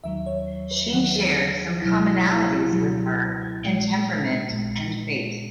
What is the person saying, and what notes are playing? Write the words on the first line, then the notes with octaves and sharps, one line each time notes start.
She shared some commonalities with her in temperament and fate.
D#2 D#3 F#3 E5
C#5
B4
D#2 D#3 F#3 F#5
G#4
G#4
C#2 B2 F#3 E4
F#4
E4
F#4
C#2 B2 F#3 F#4
A#1 A#2 G#3
A#1 A#2 G#3